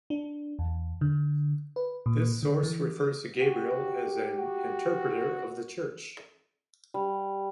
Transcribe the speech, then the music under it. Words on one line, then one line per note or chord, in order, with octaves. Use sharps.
This source refers to Gabriel as an "interpreter of the church".
D4
E2
D3
B4
A#2
D3
E3
F#4 G4
F#4
G3